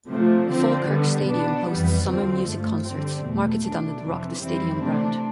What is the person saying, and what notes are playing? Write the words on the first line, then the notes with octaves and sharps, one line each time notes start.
The Falkirk Stadium hosts summer music concerts, marketed under the "Rock The Stadium" brand.
C3 F3 A3
D3 F3 C4
D3 G3 B3
B2 B3 D4
F2 E3 G3 B3
E2 D3 F3 C4
G2 F3 A3
D3 G3 C4
E2 B2 A3
B2 A3 D4
F2 C3 E3
F2 E3 G3 C4 E4
C3 E3 A3 D4